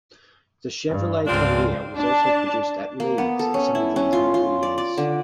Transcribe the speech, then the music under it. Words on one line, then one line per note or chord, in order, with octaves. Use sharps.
The Chevrolet Cavalier was also produced at Leeds for some of these model years.
G2
C#2 G#2 C4 D4 F4
D4 A5
A#3
B3
A4
C#4
E4
C#4
F4
F4
D5
D5
D3